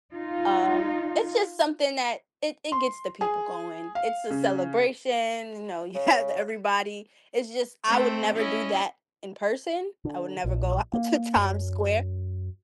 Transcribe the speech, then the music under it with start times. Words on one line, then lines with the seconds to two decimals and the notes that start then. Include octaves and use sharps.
um, it's just something that it it gets the people going, it's a celebration, you know, you have everybody, it's just, I would never do that in person. I would never go out to Time Square.
0.13 D#4 F4
2.72 C6
3.21 G#4
3.95 F5
4.30 C#3
5.95 C#3
7.87 A3 C4 C5
8.35 C#4 E4 D#5
10.05 D3
10.45 A#1
10.93 A#3
11.36 F#2